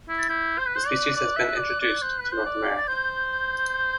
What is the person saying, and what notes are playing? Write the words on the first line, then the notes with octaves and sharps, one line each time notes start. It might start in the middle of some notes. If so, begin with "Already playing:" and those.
The species has been introduced to North America.
E4
A6
E4 G6
C5
B4
C5 F#6
D5
D5
E5
D5
D5
C5
B4
C5
D5
A6
C5 G6
G6